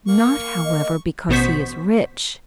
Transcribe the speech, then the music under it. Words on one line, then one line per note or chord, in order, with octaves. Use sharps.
"Not, however, because he is rich."
A#3 C#6
D#5
A1 B2 B3 C5 C#6 B6